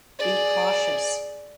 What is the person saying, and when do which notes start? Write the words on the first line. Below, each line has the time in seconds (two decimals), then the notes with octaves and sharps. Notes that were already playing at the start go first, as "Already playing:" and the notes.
Be cautious.
0.20 G#4 D5